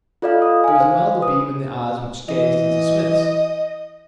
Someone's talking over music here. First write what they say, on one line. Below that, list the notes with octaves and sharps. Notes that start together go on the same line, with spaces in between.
There was a milder beam in the eyes which gazed into Psmith's.
F4 A4 D5 D#5 F5
D#6
F5 G#5
C5
B4 D#6
E3 D#5